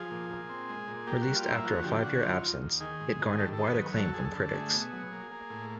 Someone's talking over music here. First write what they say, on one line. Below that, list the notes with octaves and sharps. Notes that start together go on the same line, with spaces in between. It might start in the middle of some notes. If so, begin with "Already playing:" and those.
Released after a five-year absence, it garnered wide acclaim from critics.
Already playing: F3 G#4
A#2
A#2
C4
G#3
A#2
A#3 G4
G3 F#4
F4
A#3 E4
F3 F#4
D3 G4
G4
D3 F#4
F#3 F4
D#2
D#2
D#3 G#4
G#2
D#3
G2 A4
D#3 A4
B4
F#3
F#2 A4
F#2 G#4
A4
D3
A3 G#4
B2
F#3
A#3
A#3
A2